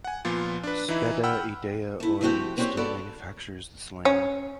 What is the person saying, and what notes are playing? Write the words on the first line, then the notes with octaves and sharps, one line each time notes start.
Spede-Idea Oy still manufactures the sling.
F#5 G#5
A#2 F3 B3 F4
D4 B4
E3 D#4 E4
F#5 G5 B5 E6 F6
A3 E4
F3 G3 A3 C4 F#4 G4
B3 C4 E4 F#4 G4 C#5
B3 F#4 A4 D5
C#4